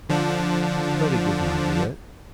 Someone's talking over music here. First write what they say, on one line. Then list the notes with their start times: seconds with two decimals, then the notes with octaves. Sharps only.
'Very good, my dear.
0.09 D3 F3 D4